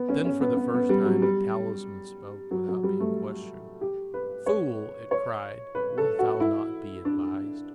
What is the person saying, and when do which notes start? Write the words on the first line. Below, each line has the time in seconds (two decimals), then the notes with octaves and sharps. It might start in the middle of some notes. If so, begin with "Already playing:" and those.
Then, for the first time, the Talisman spoke without being questioned. "Fool!" it cried; "wilt thou not be advised?"
Already playing: B3
0.09 C#4
0.25 C#4
0.41 B3
0.57 B3
0.74 B3
0.89 G3
1.05 F#3
1.22 G3
2.51 F#3
2.68 F#3
2.83 G3
3.00 A3
3.81 G4
4.14 B4
4.46 C#5
5.11 C#5
5.75 B4
5.98 A4
6.19 F#4
6.40 E4
7.05 D4